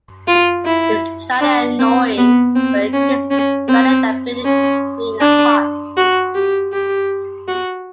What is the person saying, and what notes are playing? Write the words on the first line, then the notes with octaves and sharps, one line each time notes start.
It's jolly annoying, but it is better than being the Queen of Hearts.
F4
E4
D4
C4
B3
C4
C#4
C#4
C4
C#4
D4
F#4
G4
G4
F#4